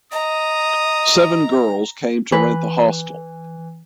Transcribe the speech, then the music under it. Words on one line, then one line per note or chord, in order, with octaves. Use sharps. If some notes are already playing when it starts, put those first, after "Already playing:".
Seven girls came to rent the hostel.
D#5 A#5 D#6
E3 B4